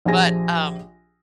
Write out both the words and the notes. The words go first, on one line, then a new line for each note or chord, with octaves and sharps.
But, um,
A#1 F3 G4 G#4 G#5 A#6